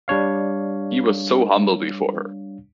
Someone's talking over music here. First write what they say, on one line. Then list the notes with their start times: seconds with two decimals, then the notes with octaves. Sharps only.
He was so humble before her.
0.08 G3 D4 C#5 F5